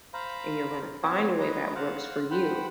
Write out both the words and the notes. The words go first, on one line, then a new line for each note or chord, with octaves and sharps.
and you're gonna find a way that works for you."
C5 F5 A#5 B5
B3 C4 C5 C#5
B4 D#5 A#5
C5 F5 F#5
C5 F#5 G5 B5